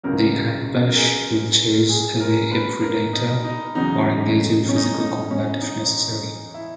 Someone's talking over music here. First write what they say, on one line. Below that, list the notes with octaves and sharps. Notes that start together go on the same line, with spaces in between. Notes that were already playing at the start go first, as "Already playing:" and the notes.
The Akbash will chase away a predator, or engage in physical combat if necessary.
C#2 C#3 F#3 A#4
A#4
G#4
G#4
A#4
B4
A#4
D#4
D#4
E2 C#3 F#3 D#4
C#4
D#4
C#4
D#4
C#4
D#4
E4